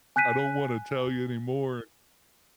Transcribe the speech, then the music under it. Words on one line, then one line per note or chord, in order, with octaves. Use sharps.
I don't wanna tell you anymore
G#5 F#6 G6 B6 D#7